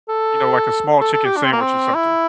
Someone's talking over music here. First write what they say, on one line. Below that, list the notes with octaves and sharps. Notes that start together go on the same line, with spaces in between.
you know, like, a small chicken sandwich or something.
A4
A4
A4
G4
D4
C4
A#3
C4
E4